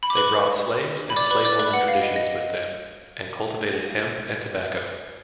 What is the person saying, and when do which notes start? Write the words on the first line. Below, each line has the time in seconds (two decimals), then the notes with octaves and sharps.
They brought slaves and slaveholding traditions with them, and cultivated hemp and tobacco.
0.03 B5
0.10 D6
0.17 B4 B5
1.10 B5
1.16 D5 D6
1.30 B4 B5
1.45 D5 D6
1.59 B4 B5
1.73 F#5
1.88 F5
2.02 D#5
2.16 D#5